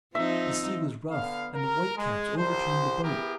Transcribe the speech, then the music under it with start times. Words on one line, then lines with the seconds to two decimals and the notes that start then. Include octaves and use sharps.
The sea was rough and the whitecaps overturned the boat.
0.15 F3 C4 D#4 E5
1.11 D3 B3 F5
1.55 A#4
1.97 G#3
2.37 C2 C5
3.03 B3 E4 G4 G#4 A#4